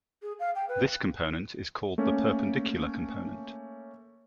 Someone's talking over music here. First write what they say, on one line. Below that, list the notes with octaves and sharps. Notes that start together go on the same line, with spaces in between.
This component is called the perpendicular component.
G#4
F5
G5
B4
A3 A#3 C#4